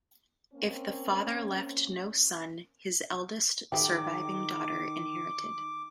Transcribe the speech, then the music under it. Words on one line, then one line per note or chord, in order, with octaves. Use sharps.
If the father left no son, his eldest surviving daughter inherited.
A#3 C4 C#4
D#3 G#4 E5 G5 D6